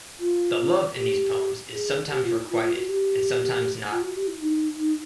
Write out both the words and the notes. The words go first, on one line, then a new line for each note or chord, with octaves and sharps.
The love in these poems is sometimes requited, and sometimes not.
F4
G4
G#4
G4
F4
E4
F4
F4
F#4
G4
F4
F#4
G4
E4
D#4
D#4